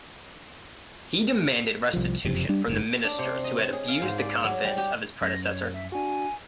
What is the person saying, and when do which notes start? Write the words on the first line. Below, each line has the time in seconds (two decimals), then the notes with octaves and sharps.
He demanded restitution from the ministers who had abused the confidence of his predecessor.
1.93 C2 F3
2.25 F#1 F2 C3
2.49 G3 D4
2.68 F#1 G#2
3.04 D4
3.19 C3
3.44 D#5
3.59 C#5
3.73 G#4
3.88 F5
4.02 G#2
4.18 D5
4.44 F#3
4.64 G3
4.77 G4
5.21 F#2 A#6
5.43 C#5
5.73 E5
5.92 D4 F#4 G#5